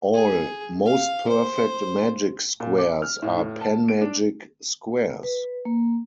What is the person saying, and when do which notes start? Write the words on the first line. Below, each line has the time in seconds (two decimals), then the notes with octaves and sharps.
All most-perfect magic squares are panmagic squares.
0.14 G#4
0.86 F5
1.28 C5
2.60 A#2
2.78 D6
3.02 F6
3.22 A2
3.37 A2
3.61 A5
3.88 D7
4.01 D4
5.23 B4
5.65 A#3